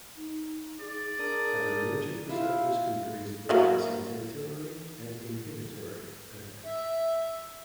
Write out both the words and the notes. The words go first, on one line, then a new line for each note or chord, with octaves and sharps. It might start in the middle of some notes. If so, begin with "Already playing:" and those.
Adrenergic receptors can produce both excitatory and inhibitory effects.
D#4
G#4 D5
D4 A#4 D#6
E4 F4 E5 F5
F#3 A#3 E4
E5